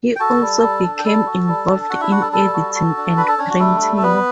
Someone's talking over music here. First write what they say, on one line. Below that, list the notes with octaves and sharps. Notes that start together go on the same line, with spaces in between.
He also became involved in editing and printing.
G5
F#4 A4 A5
G3
G3
D4
G5
G3 A4 A5
F#4
G3
D4
D4 F#4 F#5
E4 E5
G3 F#4 F#5
A4 A5
G3 A4 A5
F#4
F#4
D4
D4 B4 B5
A4 A5
C#4 D4 C#5
F#4
G3 A3 A4
G3
A4
G3 B3 B4